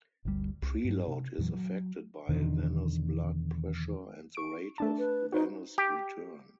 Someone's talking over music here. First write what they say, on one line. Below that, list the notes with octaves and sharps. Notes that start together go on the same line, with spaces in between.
Preload is affected by venous blood pressure and the rate of venous return.
G1 D2 B2 G3
C2
G2 F#3
C3
F2 A#2 E3 F#3
F#3
E2 B2 D3 D#3
C#6 D7
A3 D4 A5
B4
D#4 F#4 B4 C5
G4